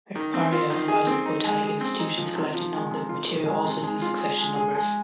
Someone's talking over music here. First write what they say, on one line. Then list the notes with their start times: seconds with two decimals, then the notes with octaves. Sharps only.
Herbaria and other botanic institutions collecting non living material also use accession numbers.
0.16 D#3
0.34 C4
0.52 F4
0.70 D#3
0.88 G#4
1.07 C4
1.26 D#4
1.44 G#3
1.63 G#4
1.81 C4
1.99 D#4
2.18 F3
2.36 C3
2.54 F3
2.73 G#3
2.91 C3
3.09 F4
3.28 D#3
3.46 G#3
3.64 C3
3.83 G#3
4.02 F4
4.20 G#4
4.38 G#3
4.56 G#4
4.75 G#3